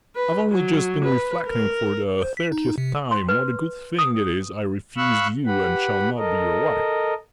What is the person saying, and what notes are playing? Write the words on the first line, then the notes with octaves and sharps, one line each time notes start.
I've only just been reflecting for the thirtieth time what a good thing it is I refused you and shall not be your wife.
B4
F#3
B4
A#4
C5
B6
D#4
C3
C6
B4
D#6
F5 B5 C#6 E6 F#6
G4 B4 F#5 B5
A4 A#4 D#5